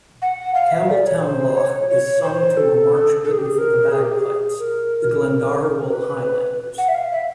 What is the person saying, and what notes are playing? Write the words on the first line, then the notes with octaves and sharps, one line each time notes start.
Campbeltown Loch is sung to a march written for the bagpipes, "The Glendaruel Highlanders".
F#5
F5
E5
D5
C#5
C5
C#5
C#5
C5
A4
A4
G#4
G4
G#4
A#4
G#4
G4
G#4
A#4
A#4
B4
F#5
E5
F5
E5